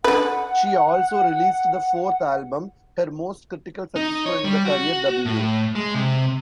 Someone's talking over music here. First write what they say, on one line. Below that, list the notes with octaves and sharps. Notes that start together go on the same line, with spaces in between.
She also released the fourth album, her most critical successful in the career, "W".
D3 B4 F#5
D#4
C#5
G3
F#4
A2
G#3
C3